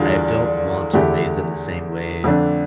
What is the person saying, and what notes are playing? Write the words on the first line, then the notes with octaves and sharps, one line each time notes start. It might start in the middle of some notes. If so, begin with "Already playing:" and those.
I don't want to raise them the same way
Already playing: E2 D3 G3 D4 F4
E2 D3 A3 E4 G4
F2 D3 A3 D4